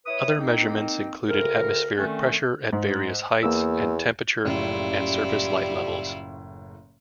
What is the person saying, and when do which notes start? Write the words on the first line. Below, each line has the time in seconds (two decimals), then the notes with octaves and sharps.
Other measurements included atmospheric pressure at various heights, and temperature, and surface light levels.
0.06 E4 B4 C#5 D#6
0.37 D#3 A#3 C4 D#4
1.28 D2 C#3 A#4
1.97 D3 D#3 A3 C4 C#4
2.73 G#2
3.43 E2 A#3 E6
4.45 F#1 A2 C#3 G3 E4 F4